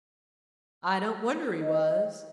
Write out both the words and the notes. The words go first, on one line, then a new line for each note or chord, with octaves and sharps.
I don't wonder he was.
D#5